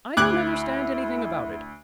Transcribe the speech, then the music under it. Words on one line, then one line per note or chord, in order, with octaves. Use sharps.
I don't understand anything about it.
D2 E4 D6 F#6 G#6